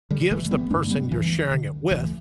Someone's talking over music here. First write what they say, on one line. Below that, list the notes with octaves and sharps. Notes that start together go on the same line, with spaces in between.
gives the person you're sharing it with
D3 G3
G1 E3 A3
G3 B3
G2 D3 A3 D4
G3 B3
D2 E3
D3
D2 E3